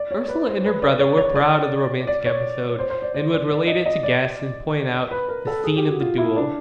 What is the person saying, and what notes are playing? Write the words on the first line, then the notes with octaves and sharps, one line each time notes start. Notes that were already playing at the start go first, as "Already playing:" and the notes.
Ursula and her brother were proud of the romantic episode, and would relate it to guests and point out the scene of the duel.
Already playing: D5
C#5
B4
C5
B4
D5
C#5
C#5
D5
D5
C#5
C5
C5
D5
D5
D5
D5
D#5
D#5
D5
B4
A#4
A4
G#4
G4
F#4
F4
E4
D4